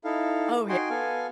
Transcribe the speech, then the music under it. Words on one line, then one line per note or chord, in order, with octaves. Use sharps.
Oh ye
D#4 E4 A4 F5
D#4 F#4 G5 G#5 C6
B3 A4 F5 G#5